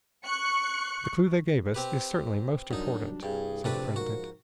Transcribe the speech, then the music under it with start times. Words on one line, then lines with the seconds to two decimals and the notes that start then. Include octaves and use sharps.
"The clue they gave us is certainly most important," said the president.
0.24 C#6 F#6 C#7
1.74 C4 G4 B4
2.71 F#2 F#3 G3 D4 D#4
3.23 C2 G2 G#4
3.64 A#1 C3 A3 D4 B4
3.96 G#2 F3 F#4 A#4